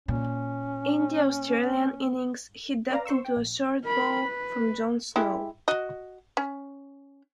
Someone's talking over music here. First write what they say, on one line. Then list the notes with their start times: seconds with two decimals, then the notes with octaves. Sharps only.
In the Australian innings he ducked into a short ball from John Snow.
0.08 A#2 C#4
2.90 C#4 B4 D5 F5 A#5
3.05 C5 C6 C#6 E6
3.25 G5
3.37 A#1
3.84 A#4 B5
4.25 B4
5.16 G#3 E4 G4
5.68 F#4 D#5
6.37 C#4